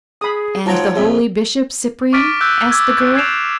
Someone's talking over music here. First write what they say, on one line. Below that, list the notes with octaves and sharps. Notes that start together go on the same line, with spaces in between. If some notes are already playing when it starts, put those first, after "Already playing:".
"And the holy Bishop Cyprian?" asked the girl.
G#4 B5 D#6
G#2 F#3 F4 C#5 G5 A5 A#5
A#1 F2 G#4 E5
C#6 D6 F6 A6 B6 D7
E6 F#6 G6 B6
D6 E6 G#6
G#6 A6 C7 D7 E7 F7